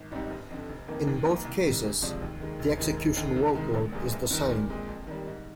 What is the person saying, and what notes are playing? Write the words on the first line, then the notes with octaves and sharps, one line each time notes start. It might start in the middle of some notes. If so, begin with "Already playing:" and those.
In both cases the execution workload is the same.
Already playing: G#1
G#2 G3 C4 D#4
G1
F2 D3
F1
F2 D#3 A#3
D#2
D#3 A#3
C2
C3 D#3 G3
D2
C3 F3 G#3 D4
D#2
D#3 G#3
F1
D#2 D#3 G#3 D#4
F1
D#2 D3
C2
C3 D#3 G#3
A#1
A#2 F3 G#3
G1
G2 D#3
A#2
G#3 C4
F2
D#3 G3
G#2